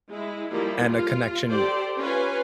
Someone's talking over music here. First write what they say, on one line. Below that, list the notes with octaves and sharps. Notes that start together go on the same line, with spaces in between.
and a connection
G#3 E4
F3 G3 A#3 E4
F4
G4 A4 C5 D5
C#4 F4 B4 G#5